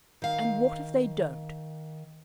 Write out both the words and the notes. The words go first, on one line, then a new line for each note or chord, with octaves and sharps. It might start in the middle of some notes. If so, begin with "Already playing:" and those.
"And what if they don't?"
D#3 F5